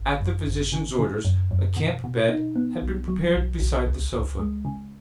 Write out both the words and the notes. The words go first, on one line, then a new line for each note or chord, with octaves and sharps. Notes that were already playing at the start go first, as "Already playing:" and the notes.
At the physician's orders, a camp bed had been prepared beside the sofa.
Already playing: G#1
F#2
G#1
C#3
C#3
F#2
F#2
B2
B2
D#4
B3
B1
F#3
B1
B1
C#2
C#2
G#3
C#3